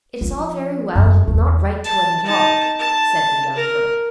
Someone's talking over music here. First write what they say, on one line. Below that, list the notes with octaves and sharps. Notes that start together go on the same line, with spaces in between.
"It is all very well--I will not write to him at all," said the young girl.
F3
F#2
E2
A5
D#4 A5
A5
A#4